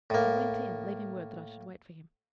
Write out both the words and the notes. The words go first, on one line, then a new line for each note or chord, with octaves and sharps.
He went in, leaving word that I should wait for him.
A2 A#3